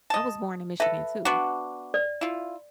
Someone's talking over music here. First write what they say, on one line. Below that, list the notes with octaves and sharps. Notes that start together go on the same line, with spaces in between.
I was born in Michigan too.
D#5 A5
A4 B4 E5
B3 D4 F#4
D5
E4 F4